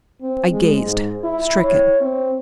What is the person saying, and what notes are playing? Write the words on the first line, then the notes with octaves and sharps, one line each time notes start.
I gazed, stricken.
C4
G#3
G#2
E4
C#5
C4